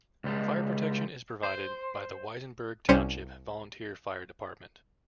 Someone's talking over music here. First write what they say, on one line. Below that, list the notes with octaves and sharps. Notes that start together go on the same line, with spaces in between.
Fire protection is provided by the Weisenberg Township Volunteer Fire Department.
C#2 G3 G#3
C5
C2 G3 C#4 C5 C#5